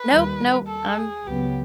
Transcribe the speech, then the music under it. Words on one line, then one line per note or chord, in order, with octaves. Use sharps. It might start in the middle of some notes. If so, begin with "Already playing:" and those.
Nope, nope. I'm
Already playing: B4
D#2 D#3 G3
A4
G#4
C#2 C#3 F#3 B3 G4